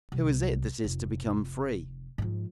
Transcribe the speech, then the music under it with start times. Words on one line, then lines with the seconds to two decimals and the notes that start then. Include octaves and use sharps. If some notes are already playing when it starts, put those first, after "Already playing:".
Who is it that is to become free?
0.12 C2
0.84 F1
2.18 G#2 F3